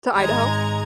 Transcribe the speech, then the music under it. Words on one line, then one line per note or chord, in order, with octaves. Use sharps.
To Idaho?
G#1 G#2 G#3 D#5 A#5 G#6